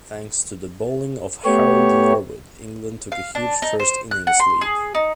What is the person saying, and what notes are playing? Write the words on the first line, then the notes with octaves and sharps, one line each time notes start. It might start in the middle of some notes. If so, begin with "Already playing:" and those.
Thanks to the bowling of Harold Larwood, England took a huge first innings lead.
A3 B3 G4 C#5
F5
D4
D#4
C5
F#6
F#5
C6
G#4
D#4